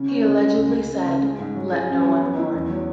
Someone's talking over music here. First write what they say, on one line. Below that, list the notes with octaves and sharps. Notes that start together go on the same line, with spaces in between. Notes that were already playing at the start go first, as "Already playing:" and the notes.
He allegedly said, Let no one mourn.
Already playing: C#3
C#4
C#3
G#3
C#2
C#2
C#3
C#3
G#3
G#2
F#3
G#4
F#2
F#3
B3
E4
E2
F#3